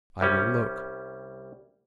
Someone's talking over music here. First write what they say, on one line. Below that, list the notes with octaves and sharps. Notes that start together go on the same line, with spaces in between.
I will look.
C2 G3 C#4